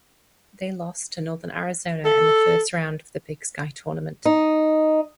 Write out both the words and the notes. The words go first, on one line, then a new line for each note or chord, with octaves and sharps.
They lost to Northern Arizona in the first round of the Big Sky Tournament.
A4
D#4